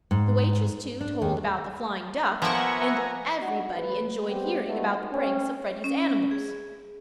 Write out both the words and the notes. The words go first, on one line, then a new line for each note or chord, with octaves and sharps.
The waitress, too, told about the flying duck, and everybody enjoyed hearing about the pranks of Freddie's animals.
G#2
D4
D#2
F3 A#3 B3 E5 F#5 G#5 A#5 C#6
D4 D#4 F#4
A1 A2 B4
G3 B3 C4 G4
G3 A3 B3 D#4 F#4
A3 C4 C#4
C#4
G#4